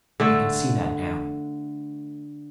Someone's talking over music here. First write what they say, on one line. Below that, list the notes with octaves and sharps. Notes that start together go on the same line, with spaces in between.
I can see that now.
D3 A3 A4